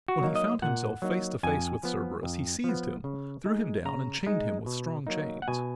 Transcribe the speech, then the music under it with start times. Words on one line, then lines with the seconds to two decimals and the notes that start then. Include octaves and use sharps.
When he found himself face to face with Cerberus he seized him, threw him down and chained him with strong chains.
0.08 F#4
0.21 F#3 A#3 D#4
0.35 D#5
0.62 A#2 F#5
1.02 F#3 A#3 D#4
1.43 F2 G#5
1.83 F3 B3
2.23 F2
2.64 F3 B3
3.04 C#3
3.46 G#3 D#4
3.85 C#3 A#5
4.26 G#3 D#4
4.66 B2
5.07 F#3 A#3 D#4
5.42 F#5
5.48 B2 G#5